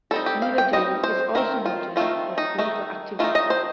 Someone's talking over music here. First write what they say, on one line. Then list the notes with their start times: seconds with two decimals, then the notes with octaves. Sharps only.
Miladhoo is also noted for its political activities.
0.11 G3 C4 D#4 A4
0.26 G4
0.42 F5
0.58 G5
0.73 G3 C4 D#4 D#5
1.04 C5
1.35 D#3 A3 C4 A#4
1.66 F4
1.96 D#3 A3 C4 F4
2.38 D#4
2.58 D#3 A3 D#4
3.19 D#3 A3 D#4 F4
3.35 D#5
3.50 C5